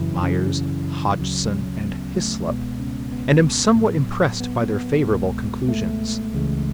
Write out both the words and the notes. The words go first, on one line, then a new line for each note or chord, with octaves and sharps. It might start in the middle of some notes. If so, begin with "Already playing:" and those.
Myers, Hodgson, and Hyslop, and am somewhat impressed by their favorable conclusions.
Already playing: F#2 C#3 E3 F#3 E4
C#3 C#4
D2 C#3 F#3
B3
A3
C#2 B2 G#3 B3
C#3 C#4
B3
A2 F#3
B3
B3
C#2 B2 G#3
A3
C#2 C#3 E3 G#3